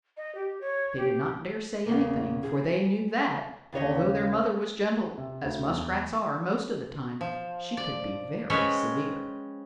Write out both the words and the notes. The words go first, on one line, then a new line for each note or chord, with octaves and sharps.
They did not dare say anything, for they knew that, although their mother was gentle, as Muskrats are most of the time, she could be very severe.
D#5
G4
C#5
G4
E2 C#3 A#3
G#4
D#2 C#3 C#5 D#5
C3
D2
E2
F3
D5
G#3 C4 C#4 B4 C#5